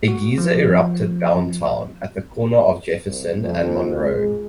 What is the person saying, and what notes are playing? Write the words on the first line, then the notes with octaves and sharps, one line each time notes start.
A geyser erupted downtown at the corner of Jefferson and Monroe.
F#4
F3
C2
F2
G#3